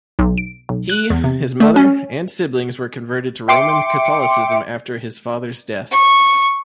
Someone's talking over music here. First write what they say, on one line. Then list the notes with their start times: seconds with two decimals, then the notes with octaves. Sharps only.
He, his mother and siblings were converted to Roman Catholicism after his father's death.
0.19 B1
0.38 D7
0.69 B1
0.89 F#6
1.10 E2
1.24 C3
1.60 A3
1.76 C#4
3.48 E5 G5 C6 D6 C#7
5.91 C#6